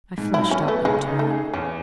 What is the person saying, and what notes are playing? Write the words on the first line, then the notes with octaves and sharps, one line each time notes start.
I flushed up in turn.
G#2
E4
F#3
C#4
B3
A3
C#3 G#3
D#4
A3
G#4
E2 C#4